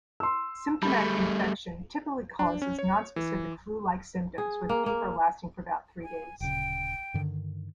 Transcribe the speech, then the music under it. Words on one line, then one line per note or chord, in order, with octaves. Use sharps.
Symptomatic infection typically causes non-specific flu-like symptoms with fever lasting for about three days.
C6 E6
G3 A3 B5
D4
C#4
C#5
E3
G#4
A#3
A#3
G#5
D1 A#2 C#3 G5
G2 D3 D#3